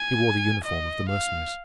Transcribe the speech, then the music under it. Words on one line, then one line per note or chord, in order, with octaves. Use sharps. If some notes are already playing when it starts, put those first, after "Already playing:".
He wore the uniform of the Mercenaries.
Already playing: G#5
D#5
F5